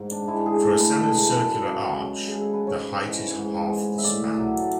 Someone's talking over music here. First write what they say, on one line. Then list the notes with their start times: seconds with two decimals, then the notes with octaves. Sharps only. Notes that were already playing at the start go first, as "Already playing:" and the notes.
For a semi-circular arch, the height is half of the span.
Already playing: G#2
0.11 D4
0.28 G#3 E4
0.46 G#4
0.63 A2 A4
0.80 B4
0.96 E3 G#3 A4
1.09 G#4 A4
1.31 F#2 B4
1.64 C#3 G#3
1.99 C#3
2.27 G#4
2.33 G#3
2.41 A4
2.53 B4
2.67 G#2 C#5
3.01 E3 G#3
3.35 G#2
3.69 G#3
3.98 E5
4.04 A2 D5
4.38 F#3 A3